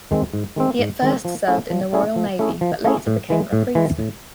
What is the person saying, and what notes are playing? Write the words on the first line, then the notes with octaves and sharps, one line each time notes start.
He at first served in the Royal Navy but later became a priest.
D#3 G#3 C4
G#2
D#3 G#3 C4
G#2
D#3 G#3 C4
F3
A3 C#4 E4 G#4
F3
A3 C#4 E4 G#4
F3
A3 C#4 E4 G#4
F3
A3 C#4 E4 G#4
A2
E3 G#3
A2
E3 G#3
A2